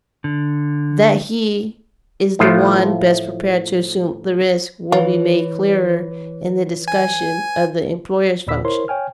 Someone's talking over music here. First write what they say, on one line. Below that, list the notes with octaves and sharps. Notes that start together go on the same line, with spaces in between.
That he is the one best prepared to assume the risk will be made clearer in the discussion of the employer's function.
D3
A2 F3 A3 F4
E3 F4 B4 C#5
G#5
D#2 A#2 D5 B5 E6 B6
E4 A#4 C5 C#5 C6
C#5 G5 G#5 F6